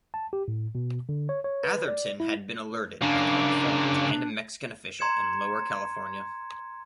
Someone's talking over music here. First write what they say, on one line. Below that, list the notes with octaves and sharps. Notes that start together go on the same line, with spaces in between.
Atherton had been alerted by an informant and a Mexican official in lower California.
A5
G4
A2
B2
D3
C#5
C#5
B4
D5
E4
C#3 A#3 D4
A#5 C6 G#6 C#7 E7